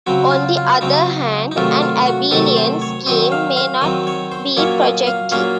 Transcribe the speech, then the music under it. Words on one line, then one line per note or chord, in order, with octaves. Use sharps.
On the other hand, an abelian scheme may not be projective.
C#3 F#3 C4 F#4
F4
F4
C#3 F#3 C4 D#4
D#4
C3 D#3 F#3 A3 F4
F4
F#4
C3 D#3 F#3 A3 A4
C5
C#5
D#3 F#3 C4 D#5
F5
F5
D#3 F#3 C4 D#5
C#5
C5
A#2 F#3 A#3 C#4 C#5
D#5
F5
A#2 F#3 A#3 C#4 F5